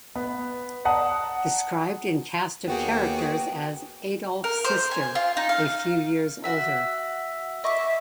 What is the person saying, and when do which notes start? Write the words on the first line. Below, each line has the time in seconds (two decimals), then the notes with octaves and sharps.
Described in cast of characters as 'Adolf's sister, a few years older.
0.16 B3
0.85 D5 F#5 A5 A#5 D#6
2.68 D#2 A#3 B3 F#4 G#4 G5
4.44 A#4
4.65 C5
4.91 G#5
5.15 F4
5.37 D#4
5.49 F5
6.44 F#4 E5
7.64 D#5 E5 C#6 D6